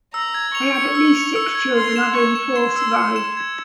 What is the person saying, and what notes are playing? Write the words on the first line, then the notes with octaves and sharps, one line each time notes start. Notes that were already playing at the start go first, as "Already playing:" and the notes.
They had at least six children, of whom four survived.
A#5 E6
G#6
C#6 F7
C#7
E6
F7
E6
G#6
C6 G#6
E7
C#6 G#6
E7
C6 E7
E6
C#7
E7
G#6